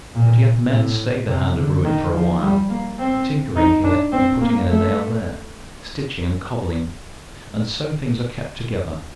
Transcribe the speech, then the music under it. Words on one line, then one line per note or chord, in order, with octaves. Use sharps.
But yet men stay the hand of ruin for a while, tinkering here and putting in a nail there, stitching and cobbling; and so things are kept together.
A#2
A2
C3
D3
D#3
F3
G3
A#3
C4
D#4
D4
C4
A#3
A3